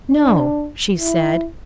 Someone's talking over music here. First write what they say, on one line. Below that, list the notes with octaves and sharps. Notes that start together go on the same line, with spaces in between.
"No," she said.
D4
E4